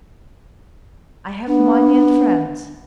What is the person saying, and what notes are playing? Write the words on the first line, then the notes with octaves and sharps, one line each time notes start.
I have money and friends.
B3 D4